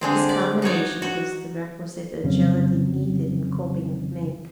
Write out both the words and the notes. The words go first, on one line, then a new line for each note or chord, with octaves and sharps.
This combination gives the requisite agility needed in coping with mink.
D3 G#3 C4
D5
D#4 F#4 C#5 D5
F#4
F2 C#3 F3 F#3 C4 C#4